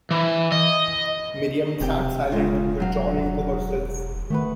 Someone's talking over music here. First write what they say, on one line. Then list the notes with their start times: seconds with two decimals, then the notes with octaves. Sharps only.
Miriam sat silent, withdrawn into herself.
0.11 E3
0.52 D#5
1.80 E1 C3 G4 G5
2.32 C#3 G#3 F4
2.80 F#3 F5
4.30 D#3 A3 B3 B4